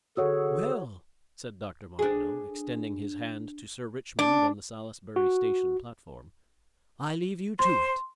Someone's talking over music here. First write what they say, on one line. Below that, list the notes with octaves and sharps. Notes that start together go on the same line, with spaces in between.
"Well," said Dr. Martineau, extending his hand to Sir Richmond on the Salisbury station platform, "I leave you to it."
D3 F#4 G#4 A4 C#5 F#5
D4 G#4
D4
F#4
C5 C6